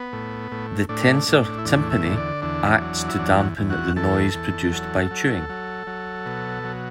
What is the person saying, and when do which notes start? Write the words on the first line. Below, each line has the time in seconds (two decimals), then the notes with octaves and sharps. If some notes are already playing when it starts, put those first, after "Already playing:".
The tensor tympani acts to dampen the noise produced by chewing.
Already playing: B3
0.13 A2
0.52 A2
0.89 A2 D4
1.28 A2
1.58 E4
1.65 E2 D4
1.91 E5
2.04 D3
2.17 D5
2.42 E2 D4
2.82 F#3
3.09 E4
3.19 E2 D4
3.58 E2
3.70 F#4
3.96 E2 A4
4.34 E2
4.72 F#3
5.11 F#3
5.49 F#3
5.87 F#3
6.26 B2
6.64 F#3